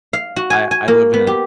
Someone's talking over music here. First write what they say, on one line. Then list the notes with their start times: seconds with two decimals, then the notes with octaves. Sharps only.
I I live in a
0.13 F5
0.36 F#4
0.50 G#5
0.71 G#5
0.88 A#3
1.14 B3
1.27 G4